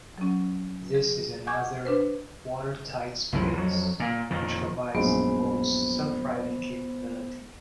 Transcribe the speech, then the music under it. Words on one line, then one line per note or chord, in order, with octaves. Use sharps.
This is another water-tight space which provides the boat's self-righting capability.
F#3 C#4
G#4
F#5 G#5 C#6 D6 G6 G#6
D4 B4 C5
C2 F#2 E3 F3
F2 F#3
A#2
F2 A#2 D#3
A#1 F#2 G#3 B3 C5